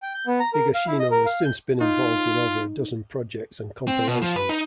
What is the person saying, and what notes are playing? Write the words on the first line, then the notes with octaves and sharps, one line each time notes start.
Higashino has since been involved in over a dozen projects and compilations.
G5
G6
B3
A#5
A#4
F5
E4
D#5
A#4
F5
G6
D#4 F4
C4
B2
F3
B4
D#4